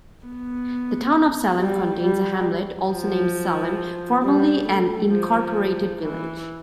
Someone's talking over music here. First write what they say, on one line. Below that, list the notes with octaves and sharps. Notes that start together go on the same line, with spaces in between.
The town of Salem contains a hamlet also named Salem, formerly an incorporated village.
B3
G3
G3
F3
G3
A3
F3
E3